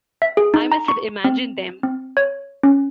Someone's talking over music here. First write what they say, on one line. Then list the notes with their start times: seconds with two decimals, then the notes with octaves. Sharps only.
I must have imagined them.
0.22 E5
0.37 G#4
0.54 D#4
0.72 A#5
0.88 C#6
1.24 C4
1.83 C4
2.17 C#5
2.63 C#4